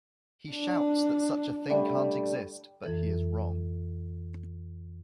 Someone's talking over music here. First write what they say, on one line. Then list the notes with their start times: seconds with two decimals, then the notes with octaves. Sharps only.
He shouts that such a thing can't exist, but he is wrong.
0.52 D4
1.70 D3 G3 A3
2.84 F2 E3 A4